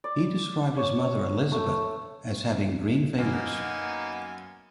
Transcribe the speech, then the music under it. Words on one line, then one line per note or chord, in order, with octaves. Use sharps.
He described his mother Elizabeth as having "green fingers".
D5
C#5
A3
F#2 A#3 B3 D#4 G#5